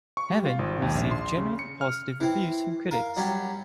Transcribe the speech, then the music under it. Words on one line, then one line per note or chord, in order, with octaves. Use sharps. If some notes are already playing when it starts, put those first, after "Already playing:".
"Heaven" received generally positive reviews from critics.
C#6
G3
F4
G#1
D#2
A#1
C6
C#3
C#7
F6
E3 C4
A#4 F5
F#3 G3 C#4 G4